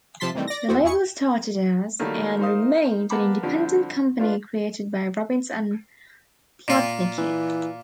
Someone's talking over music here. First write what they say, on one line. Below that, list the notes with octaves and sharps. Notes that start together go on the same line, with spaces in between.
The label started as and remained an independent company created by Robbins and Plotnicki.
C3 F3 A5 C6 B6
C3 D#3 E3 G3 A3 C4
D5 A#6
F2 B3 C4 E4 F#4
E2 E4 G#4 C#6 C#7
D#3 F#3 G3 A3 A#3
D#4 A#4 C5 F5 D#6
A#3 B3 F#5 A5 B5 D6
D3 F3 G3 C4 D4
D4 F4 B4 F5
A#2 F4
E3